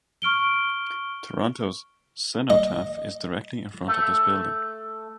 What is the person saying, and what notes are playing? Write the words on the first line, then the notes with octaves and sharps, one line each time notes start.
Toronto's Cenotaph is directly in front of this building.
C#6 F6 D7 G7
D#5
A3